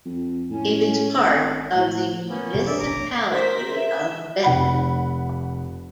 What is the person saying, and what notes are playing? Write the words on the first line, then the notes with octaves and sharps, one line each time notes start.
It is part of the municipality of Bettingen.
F2
A2 C#4
G#1
A2
A#3 B3 C#4
C3 F3 F#3 G4
D4 C#5 D5 E5
E1 A1 D2 A#5 D6
A#4 C5 B6
E5
F1 F#5 B5